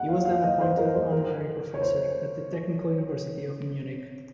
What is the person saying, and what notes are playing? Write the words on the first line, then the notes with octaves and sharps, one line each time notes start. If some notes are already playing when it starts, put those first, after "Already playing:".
He was then appointed honorary professor at the Technical University of Munich.
Already playing: F#5
F5
F5
D#5
C5
A#4
C5
A#4
C#5
C5